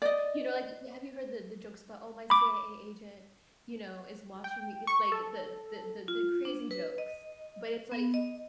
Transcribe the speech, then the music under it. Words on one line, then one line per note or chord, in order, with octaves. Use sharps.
You know, like, you Have you heard the the jokes about, "Oh, my CIA agent," you know, "is watching me?" you Like, the the the the crazy jokes, but it's like,
D5 D#5
B5 D6
G5
C#6
A4
F4
D4
B4
D#5
B3
D#5